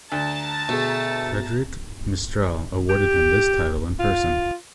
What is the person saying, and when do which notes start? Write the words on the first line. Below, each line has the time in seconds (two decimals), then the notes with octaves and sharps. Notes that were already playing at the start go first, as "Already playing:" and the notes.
Frédéric Mistral awarded him this title in person.
0.12 D2 A5 A#5 A6
0.69 B2 A3 G#4
2.89 G4
3.99 F4